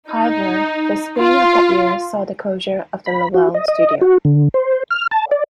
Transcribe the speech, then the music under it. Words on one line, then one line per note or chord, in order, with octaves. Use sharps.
However, the spring of that year saw the closure of the Lowell studio.
D#4
F4
B5
F#4
D#5
D#5
F#4
D3
C5
F6
A5
D5